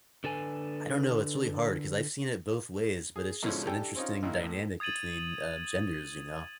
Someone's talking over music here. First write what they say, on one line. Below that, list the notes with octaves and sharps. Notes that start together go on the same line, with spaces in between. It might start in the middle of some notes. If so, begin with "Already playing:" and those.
I don't know, it's really hard 'cause I've seen it both ways, but it's just an interesting dynamic between, um, genders, you know?
D3 A4 B4 G#5
G#4
G#2 B2 D3 F3 C#4 E4
D4 E4 G4 A4 G5 G#5
C4 C#4 D#4 F4
G#1 A#3 E4
A2
D#6 G#6 A6 D#7 F#7